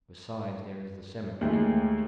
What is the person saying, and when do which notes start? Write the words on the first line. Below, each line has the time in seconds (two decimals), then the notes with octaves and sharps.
Besides, there is the cemetery.
1.41 D#2 G#3 A3